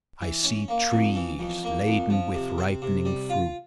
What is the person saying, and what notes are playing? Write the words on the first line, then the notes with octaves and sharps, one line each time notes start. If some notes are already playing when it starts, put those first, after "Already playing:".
I see trees laden with ripening fruit.
E3
C#4
A#3
F2
E3
F2
A#3
F2
F3
C3
C4
C3
G3
F4